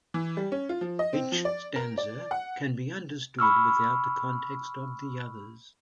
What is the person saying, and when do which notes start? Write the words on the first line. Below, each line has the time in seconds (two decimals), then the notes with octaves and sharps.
Each stanza can be understood without the context of the others.
0.14 E3
0.37 G3
0.52 C#4
0.69 F4
0.81 F3
0.99 D#5
1.13 C4
1.32 F3
1.45 D5
1.76 A#4
1.98 D5
2.31 F#5
3.39 B5 C#6 E6 F6